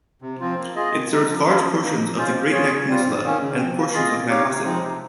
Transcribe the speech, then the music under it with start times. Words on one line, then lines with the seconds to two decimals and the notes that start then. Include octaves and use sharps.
It serves large portions of the Great Neck Peninsula and portions of Manhasset.
0.22 C3
0.40 F3 C4 F4
0.58 A#3
0.76 F4 G#4 D#5
0.93 D#3
1.11 G#3 D#4
1.28 F3
1.46 A#3 C#4 F4 G#4
1.64 F3
1.81 A#3 D#4
2.00 F3
2.16 G#3 C#4 F4 C5
2.34 A#3
2.52 F4 G#4 C#5
2.70 C#3
2.88 G3 C4 F4
3.06 G#2
3.23 D#3 A#3 C#4
3.40 C#3
3.58 F3 C4
3.75 A#3
3.93 F4 G#4 D#5
4.11 A#3
4.29 D#4 G4 C#5 F5
4.47 C3
4.64 F3 G#3 C4 D#4
4.82 C3